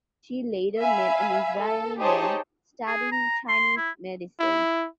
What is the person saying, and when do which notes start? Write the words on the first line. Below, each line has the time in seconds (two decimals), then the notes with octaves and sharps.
She later met an Israeli man studying Chinese medicine.
0.79 E5 F5 G#5 B5
1.61 A4
1.99 D#4 G4 G#4 C5 C#5 A5
2.87 G#4
3.12 A#5
3.48 C6
3.77 E4
4.40 E4